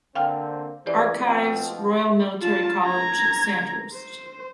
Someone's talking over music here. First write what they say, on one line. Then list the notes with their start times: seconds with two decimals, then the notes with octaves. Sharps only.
Archives, Royal Military College, Sandhurst.
0.16 D3 A#3 C4 F5 G5 F6
0.86 C#2 E3 G4 C5 D5
1.26 B2 F3 C4
2.41 F4 A5
2.83 A#5 G#6
3.93 C5